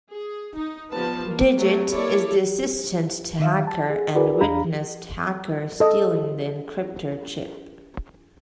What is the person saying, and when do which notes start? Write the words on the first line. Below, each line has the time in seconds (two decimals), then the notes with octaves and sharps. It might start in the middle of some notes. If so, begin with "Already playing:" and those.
Digit is the assistant to Hacker and witnessed Hacker stealing the Encryptor Chip.
0.11 G#4
0.54 D#4
0.91 F3 G3 B3 B4 A5
1.24 A#3
1.56 F#3 A3
1.93 A#3 E4 A4 C#5 D5
3.40 D#3 E5 F5
3.67 A5
3.90 G#4
4.15 E4 F#4 G#4 A#4 B4 D5
4.41 E2 D4 F5 A#5 B5
5.80 A4 D#5